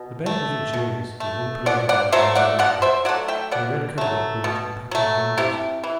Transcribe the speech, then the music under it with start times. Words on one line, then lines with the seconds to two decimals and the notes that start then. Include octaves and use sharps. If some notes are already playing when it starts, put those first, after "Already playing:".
The bed was luxurious, with one pillow of down and one of lavender, and a red coverlet worked in a pattern of roses.
Already playing: B2
0.26 A3
0.73 B2
1.20 A3
1.66 B2 D5 F#5
1.89 D5 F#5
2.12 F#3 A3 C5 E5
2.35 D5 F#5
2.59 B2 D5 F#5
2.82 C5 E5
3.05 F#3 D5 F#5
3.09 A3
3.28 E5 G5
3.51 B2 D5 F#5
3.98 F#3 A3
4.44 B2
4.91 F#3 A3
5.38 C3 E4 G4
5.84 E3